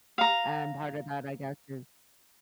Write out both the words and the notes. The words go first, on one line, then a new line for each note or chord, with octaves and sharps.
and part of that, I guess, is
F5 A#5